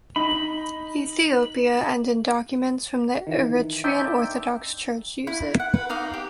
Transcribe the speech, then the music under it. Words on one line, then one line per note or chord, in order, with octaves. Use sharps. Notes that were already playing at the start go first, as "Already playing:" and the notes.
Ethiopia and in documents from the Eritrean Orthodox Church use it.
D#4 B5
D#3 E3
C4 D4 D#4 D5 E5 G5
E4
F#5
B4
D#4 D#5 F5 D6
G4